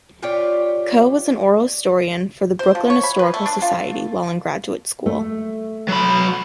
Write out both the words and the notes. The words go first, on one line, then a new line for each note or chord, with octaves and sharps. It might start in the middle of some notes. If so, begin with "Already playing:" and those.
Coe was an oral historian for the Brooklyn Historical Society while in graduate school.
F4 G4 C#5 D5
C5
F3
C#5
B5
B4
A3
D4
F4
A3
F#3 B5